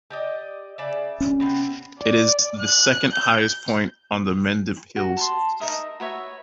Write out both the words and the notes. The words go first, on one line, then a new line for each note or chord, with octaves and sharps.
It is the second highest point on the Mendip Hills.
G4 D5 D#5
C#3 D5 E5
C#4
C3 B3 C4
D5
F#6
G6
F#4
A5 A#5 C6
D#4 A#4 E5 D#6
F#4 B4 C#5 E5